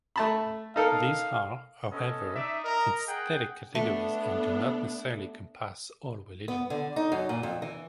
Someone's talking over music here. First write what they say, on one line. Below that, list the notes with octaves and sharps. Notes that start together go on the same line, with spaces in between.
These are, however, synthetic categories and do not necessarily encompass all religions.
A3 A5 B5
D#4 A4 A#4 F5
B3 C#4 A4 D#5
D#4 D5 E5
A#4 D#5 A#5
G#4 F#5 G5
A3 B3 D4 A4
B3
D3
D#4
F#2
A#2
F2
E3